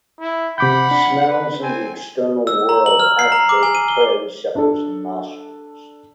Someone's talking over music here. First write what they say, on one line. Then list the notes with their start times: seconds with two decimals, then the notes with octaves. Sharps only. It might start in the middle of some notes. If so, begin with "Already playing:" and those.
Smells in the external world activate hair receptors in nostrils.
0.20 E4
0.58 C3 F#5 B5 D6 G6
0.91 D4
1.27 B4
1.62 C4 G#5
2.47 E6
2.69 A#5
2.86 F#7
3.00 F6
3.19 C7
3.32 A#5
3.49 D6
3.63 G#5
3.75 D#7
3.88 G7
4.55 D4 A4